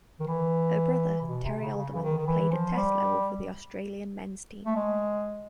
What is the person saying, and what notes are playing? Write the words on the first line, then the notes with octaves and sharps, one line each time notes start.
Her brother Terry Alderman played at Test level for the Australian men's team.
D#3
E3
C3
B2
C3
C#3
C#3
E3
D#3
D#3
E3
F3
G3
A3
G#3